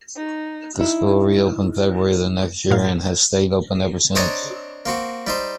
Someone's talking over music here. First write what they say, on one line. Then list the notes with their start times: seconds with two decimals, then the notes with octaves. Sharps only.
The school reopened February the next year and has stayed open ever since.
0.16 D#4
0.79 D#4 E4
2.71 A2 D#4 F5
4.15 C4 D4 C#5 D#5 A5 A#5
4.86 A#3 C4 F#4
5.27 G3 D#4 C5